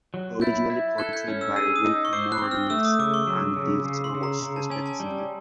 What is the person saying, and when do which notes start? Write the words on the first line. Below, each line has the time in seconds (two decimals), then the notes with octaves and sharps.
Originally portrayed by Rick Moranis and Dave Thomas, respectively.
0.14 F#3
0.41 E4 G6 A6
0.70 E4
0.98 A4 F#6 G#6
1.13 G6
1.28 C#4
1.41 E6
1.56 G#4 E6
1.76 D#6
1.85 D#4
2.05 C#6
2.13 C5 D6
2.32 F#6
2.42 C4
2.51 F6
2.70 A3 E6
2.85 D#6
2.99 C#3 D6
3.14 C#6
3.27 F#3
3.56 C#3
3.85 C#3
4.04 C6
4.14 C#3
4.23 A#5
4.42 C#3 A#5
4.56 A5
4.70 C#4 G#5
4.86 A5
5.00 G3